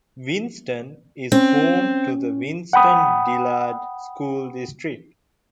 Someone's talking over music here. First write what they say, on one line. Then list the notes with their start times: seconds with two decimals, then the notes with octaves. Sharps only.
Winston is home to the Winston-Dillard School District.
1.32 C4 C#4
2.73 F#5 G5 B5 D#6